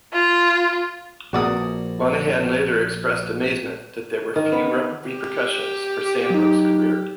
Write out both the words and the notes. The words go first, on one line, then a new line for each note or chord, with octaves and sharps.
Moynihan later expressed amazement that there were few repercussions for Sandbrook's career.
F4
A#1 A#3 F#4 D5 D#6
D#3
B3
G4
F#3 D#4